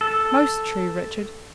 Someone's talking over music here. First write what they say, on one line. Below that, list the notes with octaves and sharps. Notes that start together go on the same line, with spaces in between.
'Most true, Richard.
A4